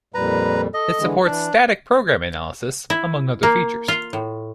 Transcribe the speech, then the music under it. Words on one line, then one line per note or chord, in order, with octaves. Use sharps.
It supports static program analysis, among other features.
F2 A#2 G3 B4 A#5
A4 D#5
D3 E3 G#3
E3 D4
E4
A#3
F4
A2